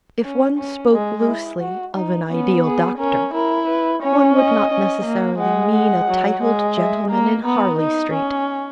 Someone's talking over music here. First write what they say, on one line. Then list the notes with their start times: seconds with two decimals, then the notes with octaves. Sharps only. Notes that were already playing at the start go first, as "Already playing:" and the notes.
If one spoke loosely of an ideal doctor, one would not necessarily mean a titled gentleman in Harley Street.
0.24 C#4
0.58 C#4
0.92 G#3
1.27 E4
1.61 F#4
1.95 D#4
2.29 B3 C#4
2.65 G#4
2.98 C#4 A#4
3.33 E4 A#4
3.67 B4
4.01 C#4 C#5
4.35 D#5
4.71 C#4
5.05 A#3
5.39 G#3 F#5
5.73 F#5
6.08 F#3
6.42 G#3
6.76 E5
7.10 A#3 A#5
7.44 B3 A#5
7.79 D#4
8.14 C#4